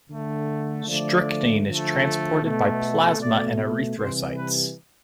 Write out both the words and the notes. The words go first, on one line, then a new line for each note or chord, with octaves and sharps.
Strychnine is transported by plasma and erythrocytes.
D3 A3
D3 F3 A3 D5
D3 F3 A3
B2 A3
B2 A3 D5
C3 E3 G3 C5
B4